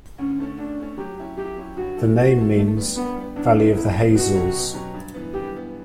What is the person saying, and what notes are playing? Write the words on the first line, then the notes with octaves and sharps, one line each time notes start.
The name means 'valley of the hazels'.
D2 C#4
D3 A3 C#4
D2 D4
D3 A3 C#4
F#3 G4
C#4 E4 G4
F#3 G4
C#4 E4 G4
G2 F#4
E3 A3 E4 A4
G2 F#4
E3 A3 E4 A4
D3 A3
G3 B3
D3 B3
G3 B3
E2 D4
C#3 E3 B3
E2 E4
C#3 E3 B3
B2 F#4
F#3 C#4 G4 C#5
B2
F#3 C#4 G4 C#5
G2
E3 B3
G2 G4
E3 B3